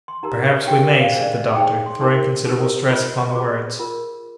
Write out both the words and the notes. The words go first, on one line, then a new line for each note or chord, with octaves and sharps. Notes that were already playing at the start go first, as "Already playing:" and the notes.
"Perhaps we may," said the doctor, throwing considerable stress upon the words.
C6
D#4 G4 A#4 A#5
D4 G4 A#4 G5
D#5
D5
F5
D4 G#4 C5 D#5
D5
D#5
D#4 G#4 C5 G5
C6
D#4 G4 A#4 C6
D#4 G4 A#4 D#6
F4 C5
C6
F4 G#4 C5 D6
F4 A#4